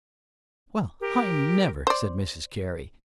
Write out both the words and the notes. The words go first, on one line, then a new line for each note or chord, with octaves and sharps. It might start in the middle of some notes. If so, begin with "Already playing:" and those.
"Well, I never," said Mrs Carey.
G4 A#4
C5 D5